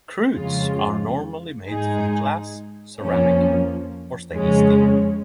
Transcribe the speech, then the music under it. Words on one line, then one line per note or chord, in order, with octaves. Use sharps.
Cruets are normally made from glass, ceramic, or stainless steel.
F2 C#3 G#3 F4
G#2 G#3 D#4 G#4
F2 F3 A#3 C#4
F2 C#3 G#3 C#4